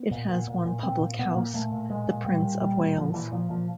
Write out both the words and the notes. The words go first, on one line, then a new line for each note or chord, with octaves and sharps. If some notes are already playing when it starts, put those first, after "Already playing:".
It has one public house, the Prince of Wales.
Already playing: B3
A#2
A#2
A#2
A#2
A#2 C4
A#2
A#2 B3
A#2 A#3
A#2 A3
A#2
A#2 G#3
A#2
A#2 G3
A#2
A#2 G3
A#2
A#2 F3
A#2 E3
A#2 F3
A#2 F3